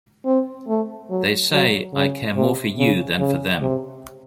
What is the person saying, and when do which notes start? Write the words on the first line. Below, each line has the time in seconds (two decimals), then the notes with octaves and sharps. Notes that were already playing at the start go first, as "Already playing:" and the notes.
They say I care more for you than for them.
0.26 C4
0.68 A3
1.10 F#3
1.52 F#3
1.93 C#3
2.36 C3
2.78 C#3
3.19 C#3
3.62 C3